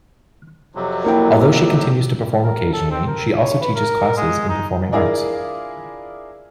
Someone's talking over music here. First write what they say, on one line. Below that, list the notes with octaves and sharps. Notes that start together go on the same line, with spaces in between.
Although she continues to perform occasionally, she also teaches classes in performing arts.
F2 C3 F#3
A#3 E4 G5
A#4
A4
C4
A#4
C#5
B4
A#4
G#3
D#4
D4 E4 F4 G#4 A#4 D5